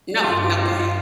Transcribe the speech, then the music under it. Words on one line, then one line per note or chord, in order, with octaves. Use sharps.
No, no, go ahead.
G2 F4
G4
D#4
G2 F4